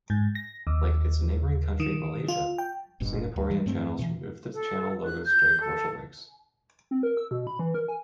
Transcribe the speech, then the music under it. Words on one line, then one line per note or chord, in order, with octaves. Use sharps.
Like its neighbouring country, Malaysia, Singaporean channels remove the channel logos during commercial breaks.
G#2
A#6
D#2
D#3
F4
G5
F1 A#1 G2 B2
D2
E3 G3 G#3
G2 F#3 A3 C4
B2 E3
A4
F#6
G6
A4
C4
A#4
E6
B2
B5
E3
A#4
G#5